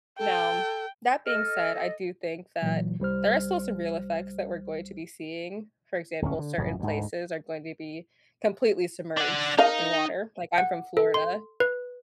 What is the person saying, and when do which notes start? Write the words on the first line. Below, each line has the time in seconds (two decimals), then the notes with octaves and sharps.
Now, that being said, I do think that there are still some real effects that we're going to be seeing, for example, certain places are going to be completely submerged in water- like, I'm from Florida,
0.19 A4 G5
1.27 A4 D#5 F6
2.62 A#2 E3 F#3
3.00 C2 G3 C5 F6
6.22 D1 G1 C2 C#4
6.39 D3
6.57 A1 F#2 C#3 F3
6.80 D2 G#2
9.17 D4 F#5
9.58 D#4 A#4 D#5 F5
10.58 F#5
10.97 A4
11.14 C6
11.60 B4